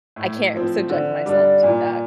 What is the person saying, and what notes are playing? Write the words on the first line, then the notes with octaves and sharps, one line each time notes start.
I can't subject myself to that
A2
F3 C4
D3
G3 D4
A#2